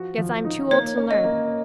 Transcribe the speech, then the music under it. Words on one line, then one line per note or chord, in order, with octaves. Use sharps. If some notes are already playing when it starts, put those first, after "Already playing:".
Guess I'm too old to learn.
Already playing: F3 F#4
F3
D#4
A#3 C#5
C#4
D#5
A#3